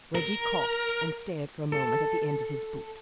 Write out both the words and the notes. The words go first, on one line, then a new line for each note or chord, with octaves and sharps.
Reggie coughed and stared for a moment at the end of his boot.
A#4
A4